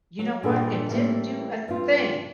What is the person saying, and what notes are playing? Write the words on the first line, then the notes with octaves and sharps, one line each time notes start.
You know what? It didn't do a thing
F#3
G2 A#2 E3 D4 G#4 A4
A2 E3 G3 A#3 C4 E4
G2 C4 F4